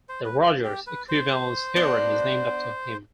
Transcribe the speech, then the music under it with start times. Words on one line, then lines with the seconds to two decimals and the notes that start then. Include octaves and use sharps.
The Rogers equivalence theorem is named after him.
0.09 C5
0.25 B4
0.64 G4
0.87 B4
1.09 C5
1.76 B3 D4 F#4